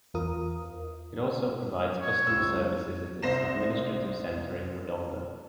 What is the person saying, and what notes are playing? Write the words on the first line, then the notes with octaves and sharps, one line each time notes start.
It also provides customer services at its administrative centre in Wodonga.
E2 F4 A#4 D#6
C#5
C#2 E6
C2 C5 A#6 C7 E7